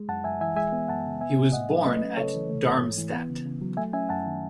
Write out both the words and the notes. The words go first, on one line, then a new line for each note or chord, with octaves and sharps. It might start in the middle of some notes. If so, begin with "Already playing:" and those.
He was born at Darmstadt.
Already playing: G#3
F#2 F#5 A5
F#2 E5 G#5
E3 E5 G#5
G#3 E5 G#5
B3
F#2 F#5 A5
C#3
B3 E5 G#5
A2
A2 D#5 F#5
F#3
A3 B4 D#5
C#4
C#3 A4 C#5
E3
A3
G#2
G#2
E3
B3
C#3
C#3
F#3
A3 E5 G#5
C#4 E5 G#5
F#2 F#5 A5
D#3